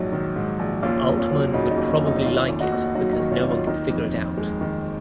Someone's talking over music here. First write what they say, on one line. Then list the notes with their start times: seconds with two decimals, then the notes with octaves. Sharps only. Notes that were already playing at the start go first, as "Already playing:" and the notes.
Altman would probably like it because no one can figure it out.
Already playing: A#1 G#2 F#3 D#4
0.12 D#3
0.36 G#2
0.59 A#1
0.83 D#2 C#4 F4
1.06 F1
1.18 C#4 F4
1.31 F#3
1.53 C#3 D#4 F#4
1.71 D#4
1.78 D#2
1.89 C#4
2.01 F1
2.07 D#4
2.25 D#3 C#4 F4
2.48 D#2
2.60 D#4 F#4
2.72 D#2
2.95 F#3 D#4 F#4
3.13 D#4
3.19 D#3
3.31 C#4 F4
3.43 D#2
3.49 C#4 F4
3.67 D#3 D#4
3.90 F2
4.14 F2
4.37 G#3
4.61 D#3